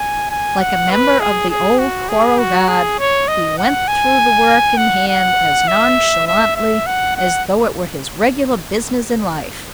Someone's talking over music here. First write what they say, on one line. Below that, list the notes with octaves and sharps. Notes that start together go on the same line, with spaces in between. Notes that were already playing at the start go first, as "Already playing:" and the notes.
Like a member of the Old Choral Guard, he went through the work in hand as nonchalantly as though it were his regular business in life.
Already playing: G#5
G#5
F#5
B4
G#4
G#4
F#4
G#4
F#4
G#4
C#5
D#5
F#5
G#5
F#5
F#5
E5
E5
E5
F#5
F#5